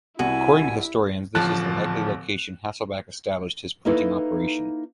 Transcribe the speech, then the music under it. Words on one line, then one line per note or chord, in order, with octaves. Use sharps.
According to historians this is the likely location Hasselbach established his printing operation.
C2 E4 F#4 G#5
D1 A1 F3 A5 F#6
A#3 D#4 E4 A4 B4